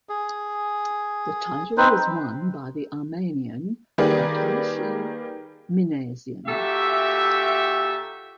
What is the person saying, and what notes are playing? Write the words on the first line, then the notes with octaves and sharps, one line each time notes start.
The title was won by the Armenian Artashes Minasian.
G#4
C4 D#4 B4 C5
D#3 G3 A#3 G#4 B4 D5
A#2 F#4 G4 A4 E5